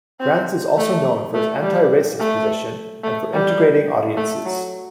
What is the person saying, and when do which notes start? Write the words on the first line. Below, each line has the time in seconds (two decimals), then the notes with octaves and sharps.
Granz is also known for his anti-racist position and for integrating audiences.
0.20 C4
0.77 A3
1.34 A3
1.62 G3
2.19 A3
3.03 A3
3.33 G3
4.17 A3
4.45 F#3